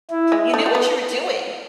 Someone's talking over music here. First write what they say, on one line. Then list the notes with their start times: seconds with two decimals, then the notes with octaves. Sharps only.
you knew what you were doing.
0.11 E4
0.32 G#3
0.54 A3
0.66 A3
0.75 B3